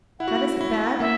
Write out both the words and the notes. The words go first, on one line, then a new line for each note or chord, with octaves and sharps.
That isn't bad.
E4 F#5
F#4
E4
E4
A#3 E5